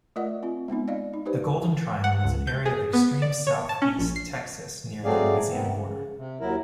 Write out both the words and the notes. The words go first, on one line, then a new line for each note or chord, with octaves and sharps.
The Golden Triangle is an area of extreme Southeast Texas near the Louisiana border.
A3 F4 A#4 D5 D#5 F#5
C4 F4
G#3 B3 C4 D#4
D5 D#5 F5
D#4
D#4 G4 B4 C5 D5
F#5
C#2
G6
G#4
B3
D5
C#5
A5
C#4
A#1
C7
F#3 A3 C4 G#4 D5 F5
C3 D#3 B3 C4
C#3
C3
D#2 F#3 E4 A#4